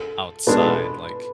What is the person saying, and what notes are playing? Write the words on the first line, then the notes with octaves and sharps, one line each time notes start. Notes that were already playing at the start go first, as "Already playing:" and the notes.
outside, like,
Already playing: A4
B2 G#3 B3 D4 B4
A4